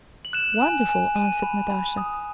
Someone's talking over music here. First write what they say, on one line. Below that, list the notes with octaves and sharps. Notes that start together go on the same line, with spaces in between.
"Wonderful!" answered Natasha.
F#7
F#6 E7
G#5
G#5
G#5 D#7
B5
B5
D#6